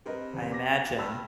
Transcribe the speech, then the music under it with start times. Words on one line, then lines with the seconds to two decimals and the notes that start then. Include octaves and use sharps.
I imagine
0.06 C3 A#4 B4 D#5
0.33 E2 C#3
0.52 D6 A#6
0.72 F#5
0.98 G2 A5 B5 E6